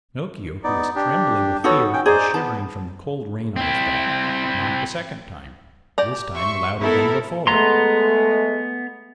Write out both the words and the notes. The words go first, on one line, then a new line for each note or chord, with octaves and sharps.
Pinocchio, who was trembling with fear and shivering from the cold rain on his back, knocked a second time, this time louder than before.
B3 D#4 D5
D4 G4
B3 D#4 F#4 A4 C#5
C#4 G5
D#4 G#4 C5 D5
B3 A5
C4 E4
G4 D5 A#5
E5 C6 C#6
B3 E4 A4 A#4
G#3 A3 B3 A#5 C6